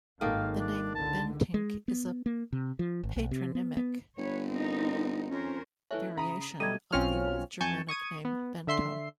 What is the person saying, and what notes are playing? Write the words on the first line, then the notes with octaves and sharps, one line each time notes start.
The name Bentinck is a patronymic variation of the Old Germanic name Bento.
G#1 D#3 A#3 A4 F5
D4
C#2 D3 A5
G#3
B3
A#3
C3
F3
G#1
B1
C3
B3
B3
G1 B4 C#5
C4 D#4 A#4
F2 C#4 A#4 C5
E3 A3 C#4 E5 F#6
C#3 A#5 B5 D#6
B2 G3 A3 G4 D#5 G#6 D#7
B1 C4 C#4 F4 C#5 F6
F2 G#5 A5 C#6 G6
C#6 D#6 G#6 D#7
B3
D3 E5 C6 C7